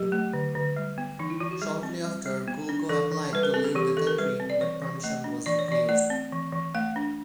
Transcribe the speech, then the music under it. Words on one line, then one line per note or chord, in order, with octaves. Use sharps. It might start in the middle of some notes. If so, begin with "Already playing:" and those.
Shortly after, Gulko applied to leave the country, but permission was refused.
Already playing: F#3 G4
A3
D3
D3
G3
B3
E3 D#4
E4
E3 F4
F#4
G3 G#4
C4
G3
G3
B3
D4
E3 A4
E3
G3 B4
A#4
C4 A4
G#4
E3 G4
E3 A4
A#4
G3 B4
C4
D5
E3 C#5
E3
A3 D#5
D4
E3 D5
C#5
E3 D5
A3 D5
C4
E3
E3
A3 F5
D4